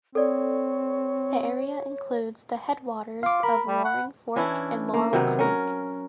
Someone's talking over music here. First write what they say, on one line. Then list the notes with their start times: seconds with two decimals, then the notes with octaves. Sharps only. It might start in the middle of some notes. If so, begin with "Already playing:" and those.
The area includes the headwaters of Roaring Fork and Laurel Creek.
0.15 C4 A4 C#5 D5
3.23 F4 F5 D6
3.43 A#4 B5
3.68 G3
3.85 F#5
4.36 E3 C#4 D4 E4
4.94 A#3
5.13 C3 D#3 F#3 B3
5.39 C#4 A#4